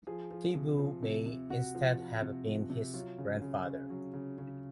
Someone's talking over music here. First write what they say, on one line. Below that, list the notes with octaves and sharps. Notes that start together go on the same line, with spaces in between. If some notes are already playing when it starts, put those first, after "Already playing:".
Thibaud may instead have been his grandfather.
F3 G#4
F3
C3
F3
C3
C3
C3 F#4
F3
F3
C3
F3
C3
F#3 F4
C#3
C#3
C#3
F#3
C#3
C#3